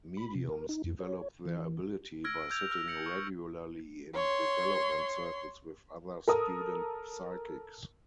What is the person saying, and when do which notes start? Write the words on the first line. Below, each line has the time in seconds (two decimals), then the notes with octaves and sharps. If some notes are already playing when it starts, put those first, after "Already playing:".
Mediums develop their ability by sitting regularly in "development circles" with other student psychics.
0.17 B5
0.35 C3
0.49 A#4
0.69 D#4
0.84 F2
1.00 C#5
1.45 E3
2.24 E6 F6 G#6 A#6 D7
2.50 E6 G6 G#6 F7
2.70 E6 F6
2.88 A#6 C#7 F#7
3.06 C#6
4.15 C#5 C6
6.28 A4 A#4 D#6